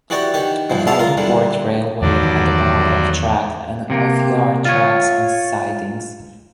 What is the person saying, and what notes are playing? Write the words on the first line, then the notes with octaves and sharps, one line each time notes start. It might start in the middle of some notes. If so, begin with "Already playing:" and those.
Atlantic Port Railway had about of tracks and of yard tracks and sidings.
E3 F#4 G4 D5 C#6
D#3 G4 F#5
G2 E3 F3
G#3 D4 E5 F5 A5
F4 A#4 F5
D3 E3 G3
E2 G2 D#3 F#3 D5
C3 A#3
F4 C#5